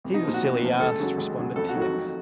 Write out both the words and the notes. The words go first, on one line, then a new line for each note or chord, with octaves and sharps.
"He's a silly ass," responded T. X.
C2
D#4
A#2 F3
F#4
C2
A#2 F3
C#2 A4
C#3 F#3
C#2
C#3 F#3
F2 A4
F#4
D#3 F#3
F#4
F2